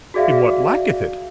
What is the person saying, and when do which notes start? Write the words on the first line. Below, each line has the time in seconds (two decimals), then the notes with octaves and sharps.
"In what lacketh it?"
0.14 F#4 G#4 D5 E5 F5